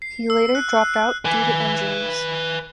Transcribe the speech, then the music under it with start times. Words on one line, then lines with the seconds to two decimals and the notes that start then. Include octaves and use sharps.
He later dropped out due to injuries.
0.02 C7
0.30 E6
0.55 F#6
0.82 F#6
1.25 B4 G#5